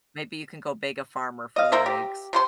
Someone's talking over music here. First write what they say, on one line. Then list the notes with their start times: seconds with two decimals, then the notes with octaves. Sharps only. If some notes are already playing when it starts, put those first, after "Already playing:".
Maybe you can go beg a farmer for their eggs,
1.56 D#5 F5
1.72 A#3 A#4 C5 E5
1.86 G4
2.33 C3 C5 C6